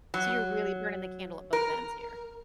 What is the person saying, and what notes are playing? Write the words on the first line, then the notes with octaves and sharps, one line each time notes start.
so you're really burning the candle at both ends here.
F#3
A#4